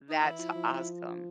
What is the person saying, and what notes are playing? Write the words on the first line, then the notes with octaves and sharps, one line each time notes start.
That's awesome.
D#4
E3 E4
F3
F3
F3